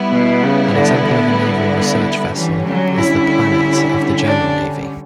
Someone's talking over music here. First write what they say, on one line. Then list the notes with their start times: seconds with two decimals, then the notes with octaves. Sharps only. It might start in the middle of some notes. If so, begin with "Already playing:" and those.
An example of a naval research vessel is the "Planet" of the German Navy.
Already playing: G3 B3 E4
0.11 B2
0.43 C#3
0.75 D3
1.07 D3
2.34 D3 E3 G3 C#4
2.66 F#3
2.97 E4
4.25 D4